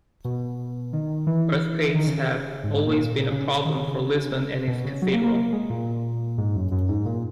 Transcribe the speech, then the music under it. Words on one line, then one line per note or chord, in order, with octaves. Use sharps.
Earthquakes have always been a problem for Lisbon and its cathedral.
B2
D#3
E3
D#3
C#3
C#3
G#2
G#2
A#2
C#3
D#3
C#3
C#3
B2
C#3
F#3
A#3
A#3
A#3
G#3
A#2
G#2
F#2
F#2
G#2
A#2